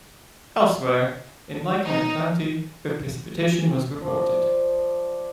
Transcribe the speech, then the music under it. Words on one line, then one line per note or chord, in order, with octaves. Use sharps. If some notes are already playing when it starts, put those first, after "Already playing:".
Elsewhere, in Lycoming County, of precipitation was reported.
D#4
F3 D5